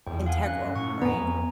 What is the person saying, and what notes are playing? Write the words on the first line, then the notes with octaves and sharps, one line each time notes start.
integral, right?
E2 G5
F5 F#5 G#5
F#2 C#4 F#6
A2 C#6
F2 B3 G#5 A#5